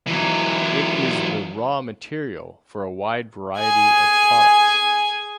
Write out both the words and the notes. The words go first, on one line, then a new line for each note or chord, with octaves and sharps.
It is the raw material for a wide variety of products.
E3 F#3
G#4 G#5